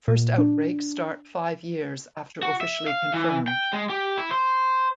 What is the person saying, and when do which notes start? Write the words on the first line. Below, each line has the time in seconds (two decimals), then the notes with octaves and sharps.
First outbreak start five years after officially confirmed.
0.08 A#2
0.38 D4
2.43 F#4
2.61 E5
2.88 F5
3.14 E3
3.48 G5
3.73 G#3
3.90 G4
4.18 E4
4.31 C5